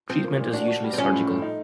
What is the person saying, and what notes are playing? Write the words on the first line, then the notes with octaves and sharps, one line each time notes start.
Treatment is usually surgical.
F3 C4
A#3
A#2
D4 F#4
F#4
G3
C4
F3 C#4
A2
A3
D#4